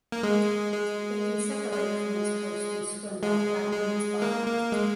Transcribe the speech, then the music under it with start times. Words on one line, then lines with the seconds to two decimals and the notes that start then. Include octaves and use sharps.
It can separate from its host and swim by flattening its body.
0.12 A#3
0.23 G#3
0.73 G#3
1.73 G#3
3.23 G#3
3.72 G#3
4.22 A#3
4.47 A#3
4.72 G#3